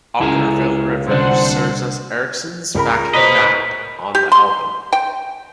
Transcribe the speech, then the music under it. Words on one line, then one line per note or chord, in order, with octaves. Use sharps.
Okkervil River serves as Erickson's backing band on the album.
C#2 E4 G#4 A#4
C2 D3 D4 C5 F#5
C#2 A#4 B5
B4 C5 D#5 A#5 B5
G4
C6
G5